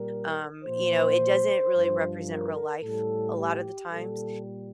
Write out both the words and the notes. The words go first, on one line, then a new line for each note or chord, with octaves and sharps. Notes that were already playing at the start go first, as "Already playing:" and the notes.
Um, you know, it doesn't really represent real life a lotta the times,
Already playing: A#2 G3 A#4
A#2 F3 C5
G2 F3
A#4
A2 G3 A4
G4
A#2 G3 A4